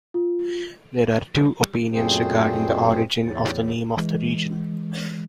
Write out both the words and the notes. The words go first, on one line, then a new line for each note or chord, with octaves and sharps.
There are two opinions regarding the origin of the name of the region.
F4
F#2 A#2 A3 C4 G#4 C5
E2 A2
E3 G#3